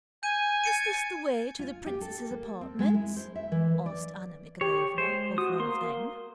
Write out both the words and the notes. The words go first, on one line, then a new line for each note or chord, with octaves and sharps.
"Is this the way to the princesses' apartments?" asked Anna Mikhaylovna of one of them.
G#5 G6 D#7
A6 C#7 D#7
F4
G4
A4
A#3
C4
G#3
E4
C5
E5
E3
D5
G4 C#5
G#3 C5
F#4 D#6
A#3 C6